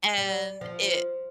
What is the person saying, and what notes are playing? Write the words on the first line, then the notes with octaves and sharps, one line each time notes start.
and it
G3
F3